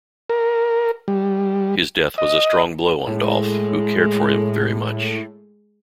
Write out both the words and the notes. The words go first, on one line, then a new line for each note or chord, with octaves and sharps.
His death was a strong blow on Dolf, who cared for him very much.
A#4
G3
D#5
A2 G#3